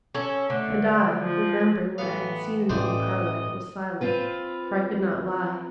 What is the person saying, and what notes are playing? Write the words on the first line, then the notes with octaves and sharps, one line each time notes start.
And I, remembering what I had seen in the blue parlour, was silent--for I could not lie.
C#4 A4
D3 A3
F3
A1 B3 F5
A1 A2 G3 C#4 C5 D#5
C4 F4 B4